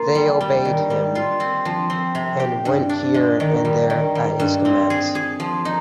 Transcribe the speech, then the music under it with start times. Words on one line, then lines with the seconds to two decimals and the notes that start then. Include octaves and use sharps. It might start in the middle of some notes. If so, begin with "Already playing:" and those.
They obeyed him, and went here and there at his commands.
Already playing: A#3 F4
0.15 G3
0.41 G3
0.65 D#3
0.90 G3
1.15 F4
1.40 C4
1.65 F3
1.90 C4
2.15 C3
2.40 G4
2.65 G2
2.89 D4
3.14 G#3
3.40 D#3
3.65 G3
3.90 D#3
4.15 G3
4.40 G2
4.65 C4
4.90 G#4
5.15 G#4
5.40 F3
5.65 D#4